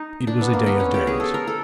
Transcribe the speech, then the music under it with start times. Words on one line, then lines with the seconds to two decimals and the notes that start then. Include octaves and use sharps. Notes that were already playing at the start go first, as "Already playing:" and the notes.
It was a day of days.
Already playing: D#4
0.27 D4
0.41 B3
0.54 A#3
0.66 B3
0.80 C#4
0.94 G4
1.07 G#4
1.20 A4
1.34 A#4
1.47 A4